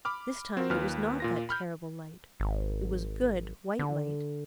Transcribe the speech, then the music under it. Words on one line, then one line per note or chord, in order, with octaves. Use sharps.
This time it was not that terrible light; it was good, white light.
B5 D6 F6
C4 F#4 A#4 C5
D#2 F4 B4 F6
A#2 F4 A#6
B5 F6 G6
G#1
D3